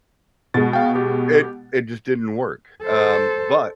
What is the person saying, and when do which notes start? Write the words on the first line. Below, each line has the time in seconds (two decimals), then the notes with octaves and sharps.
It it just didn't work. Um, but
0.54 B2 G#3 A6
0.73 F5 G5
0.95 G4
2.84 A4 C5